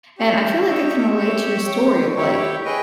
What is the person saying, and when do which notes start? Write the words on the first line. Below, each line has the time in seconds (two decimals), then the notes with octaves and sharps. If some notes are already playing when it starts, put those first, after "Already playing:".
and I feel like I can relate to your story of, like,
0.18 G4 C#5 E5 G5
0.68 D#4 G4 C#5 E5 G5
1.18 G4 C#5 E5
1.67 G4 C#5 G5
2.16 E4 G4 C#5
2.65 G#4 B4 D#5 G5